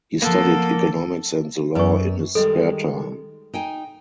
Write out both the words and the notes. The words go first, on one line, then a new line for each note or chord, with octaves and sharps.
He studied economics and the law in his spare time.
F3 A#3 B3 A4
F#2 B4 D5 C#6
D#3 G3 G#3 A4 D#5
D#4 G5 G#5